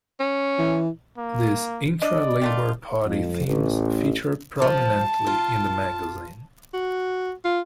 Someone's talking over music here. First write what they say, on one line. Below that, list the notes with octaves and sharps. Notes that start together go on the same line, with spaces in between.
These intra-Labour Party themes featured prominently in the magazine.
C#4
E3
A#3
D4 D5 D#5
D#3 A3 F4
F2
A1
F3 A5
F4
F#4
F4